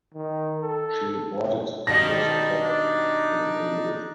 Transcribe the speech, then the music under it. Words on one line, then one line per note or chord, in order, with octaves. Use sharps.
She reported this attack to the police.
D#3
A4
B2 D#3 G3 D#4 A5 A#6
D4